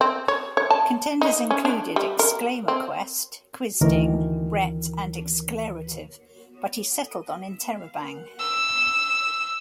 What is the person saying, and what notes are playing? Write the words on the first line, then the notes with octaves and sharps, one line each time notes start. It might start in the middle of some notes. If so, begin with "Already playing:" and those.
Contenders included "exclamaquest", "QuizDing", "rhet", and "exclarotive", but he settled on "interrobang".
C4
C#5
C#5
A5
D#4
C#4
D4
G3
A#4
C4
D2 D#3 E3 A#4
E6